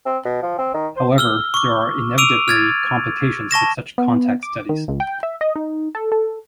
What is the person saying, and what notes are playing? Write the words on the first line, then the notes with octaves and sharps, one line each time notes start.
However, there are inevitably complications with such contact studies.
C4
B2
F3
C4
D#3
C5
E6 F6 G7
C#6 D6
D6 E6 D7 D#7 F7
F6 G#6 A6
A5 C#6 A#6 E7
B3
D6
D#3
C#2
G5
E5
D#5
D#4
A4
A4